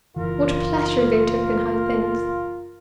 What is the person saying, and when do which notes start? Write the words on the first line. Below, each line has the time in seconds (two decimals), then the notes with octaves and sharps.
What pleasure they took in high things!
0.16 F#1 E3 F4 A#4